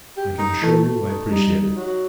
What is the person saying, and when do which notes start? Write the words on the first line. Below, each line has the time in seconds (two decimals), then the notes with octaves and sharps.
I can assure you I appreciate it.
0.16 G4
0.39 D#4
0.62 E3 A3
0.85 A3
1.07 D#4
1.30 G3 D#4
1.53 D#4
1.76 F#3